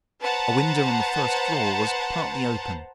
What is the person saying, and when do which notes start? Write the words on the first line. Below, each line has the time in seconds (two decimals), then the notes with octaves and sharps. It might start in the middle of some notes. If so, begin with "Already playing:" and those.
A window on the first floor was partly open.
0.22 B4 C5 F#5 A5 A#5